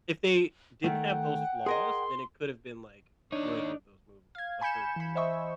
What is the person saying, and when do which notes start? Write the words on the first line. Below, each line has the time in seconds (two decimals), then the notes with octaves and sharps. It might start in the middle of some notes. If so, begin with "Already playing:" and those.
if they didn't have those flaws, then it could've been, like, worthy of those movie of those awards.
0.84 D#3 A3 F#5 G5
1.66 G#4 A#4 D#5 C6
3.32 D#2 D4 D#4 C#5
4.35 F5 G#6
4.61 G#5 B5 G6 C#7 E7
4.96 E3 B5
5.15 C5 D#5 E5 C#6